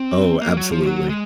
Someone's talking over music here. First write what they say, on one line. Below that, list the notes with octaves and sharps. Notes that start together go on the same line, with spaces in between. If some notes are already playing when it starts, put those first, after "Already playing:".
Oh, absolutely.
Already playing: C4
A#3
F#3
F3
F#3
G#3